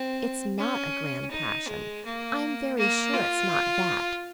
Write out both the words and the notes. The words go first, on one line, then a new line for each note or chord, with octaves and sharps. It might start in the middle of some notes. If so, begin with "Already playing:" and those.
"It's not a grand passion; I'm very sure it's not that."
Already playing: C4
C#4
D#4
G#3
A#3
A#3
F4